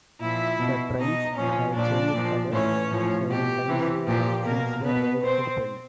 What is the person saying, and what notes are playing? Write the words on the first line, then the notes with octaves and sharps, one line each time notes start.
The trains have changed colors several times since the ride opened.
A#2 F3 E4 E5
B2
B2 D#4 D#5
A#2 F3 C#4 C#5
A#2 F3 D4 D5
A#2 F3
A2 E3 C#4 C#5
A2 F3
B2 G4
C3 E3
A#2 F3 G4
B2 A#3 A#4
B2 B3 B4
B2 C4 C5